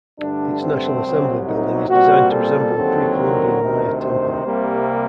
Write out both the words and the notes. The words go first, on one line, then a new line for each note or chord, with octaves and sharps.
Its National Assembly Building is designed to resemble a Pre-Columbian Maya temple.
G2 D3 A3 D4
C4
C2 C3 F#3
D#4
A#2 G3 C4 F#4
A4
D#2 D3 F#3 C4
A#4
D2 C3 D#3
C5
C2 C3 G3 A#3